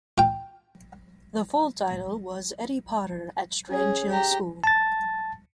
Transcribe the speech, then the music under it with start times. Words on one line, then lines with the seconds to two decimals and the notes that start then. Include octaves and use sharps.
The full title was "Eddie Potter at Strange Hill School".
0.18 F4 G5
3.68 C#4 G#4
4.10 G4 A#5
4.64 A5 A6